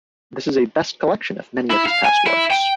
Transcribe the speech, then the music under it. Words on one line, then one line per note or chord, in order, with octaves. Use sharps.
This is a best collection of many of his past works.
E4
F5
G#5
E4
G5